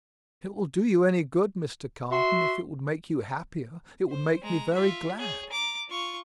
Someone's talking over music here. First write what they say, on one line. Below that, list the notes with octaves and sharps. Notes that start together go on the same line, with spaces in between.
"If it will do you any good, Mr. Carton, if it would make you happier, it would make me very glad!"
F#4 E5 C6
C5
G#3 A#5
F4 E5
G#4 C#5
A#5 D6
F4 C#6